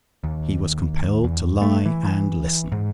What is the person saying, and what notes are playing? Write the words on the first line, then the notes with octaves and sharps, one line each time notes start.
He was compelled to lie and listen.
D#2
E2
A3
E3
G#2